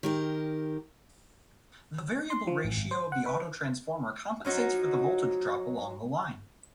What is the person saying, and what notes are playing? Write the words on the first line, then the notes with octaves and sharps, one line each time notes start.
The variable ratio of the autotransformer compensates for the voltage drop along the line.
D#3 G4 A#4
C6
F3
A1
G#1
C5
F#5
B4
F3 F#3 D#4 F#4